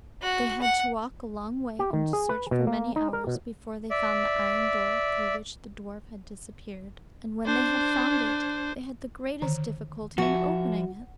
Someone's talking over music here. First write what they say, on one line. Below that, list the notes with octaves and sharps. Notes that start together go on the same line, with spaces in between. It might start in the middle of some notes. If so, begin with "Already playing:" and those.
They had to walk a long way, and to search for many hours, before they found the iron door through which the dwarf had disappeared; and when they had found it they had the greatest difficulty in opening it.
F#4 F#6
F#5
G4
D#3
G#4
B4
B2
A#3
D#4
A#4
B2
D5 E5
D4 C5
D3 D#3 A#5
F3 F#4 E5